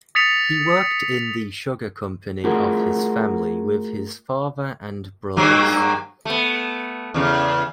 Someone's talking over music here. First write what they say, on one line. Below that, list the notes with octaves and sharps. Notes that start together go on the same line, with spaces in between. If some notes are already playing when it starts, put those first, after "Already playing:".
He worked in the sugar company of his family with his father and brothers.
D#6 A6 B6 C#7 F7
A3 F4 F#4 G#4 A#4
G2 F#3 A#3
A3 B3
E2 C#3